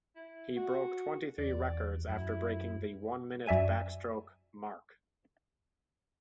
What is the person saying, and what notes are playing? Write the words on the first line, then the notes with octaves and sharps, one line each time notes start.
He broke twenty-three records after breaking the one-minute backstroke mark.
E4
F#4
E2 D5
F#2 E4
F#2 D5 E5 G#5 D#7